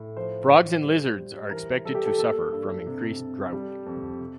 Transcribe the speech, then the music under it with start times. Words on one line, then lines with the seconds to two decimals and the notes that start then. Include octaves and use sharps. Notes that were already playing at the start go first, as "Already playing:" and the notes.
Frogs and lizards are expected to suffer from increased drought.
Already playing: A2
0.16 F3 C5
0.50 A2
0.83 G3
1.18 G3
1.51 E3 A#4
1.85 G3 A4
1.95 G4
2.06 A4
2.19 A#3 A4
2.53 G2
2.86 C3
3.19 C3
3.53 G3
3.86 F2
4.20 C3